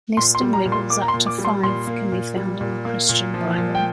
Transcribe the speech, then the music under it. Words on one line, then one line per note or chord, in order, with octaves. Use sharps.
Nesting levels up to five can be found in the Christian Bible.
A#2 C6
C6
G3
A#5
A#2
C6
A#3 D6
A#5
C6
A#2
D6
G3
C6
A#2 C6
A#3
A#2
G3
A#2
A#3
A#2
F3
A#2
G5